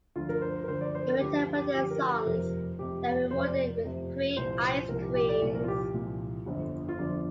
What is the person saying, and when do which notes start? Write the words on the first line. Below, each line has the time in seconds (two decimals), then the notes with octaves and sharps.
In return for their songs, they are rewarded with free ice creams.
0.16 D2 D3 F3 F4
0.29 A#4
0.42 C5
0.64 A#4
0.68 D2 D3 F3 C5
0.81 D5
0.95 C5
1.08 A#4
1.20 D2 D3 F3 G4
1.38 F4
1.55 G4
1.73 D2 D3 F3 G4
1.91 A#4
2.01 F4
2.08 G4
2.26 F1 F2 C3 F3 A#4
2.78 F1 F2 C3 F3 G4
3.31 F1 F2 C3 F3 C5
3.44 D5
3.70 A#4
3.84 F1 F2 C3 F3
4.37 C2 A#2 F3 C5
4.62 C5
4.89 C2 A#2 F3 A#4
5.02 G4
5.15 G4
5.29 D5
5.42 C2 A#2 F3
5.54 A#4
5.64 F4
5.68 G4
5.94 C2 A#2 F3
6.46 G1 F2 D3 F3
6.89 F4
6.99 G1 F2 D3 F3 D4